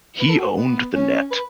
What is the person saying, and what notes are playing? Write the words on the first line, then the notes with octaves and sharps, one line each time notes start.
He owned the 'net'.
B4
A4
F#4
B3
C#4
B4